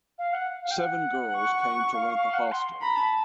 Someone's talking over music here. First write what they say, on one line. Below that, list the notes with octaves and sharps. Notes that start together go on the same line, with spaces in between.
Seven girls came to rent the hostel.
F5
F#5
F5
G5
F#5
C#6
F5
F5
F#5
C6
A#5 B5
A5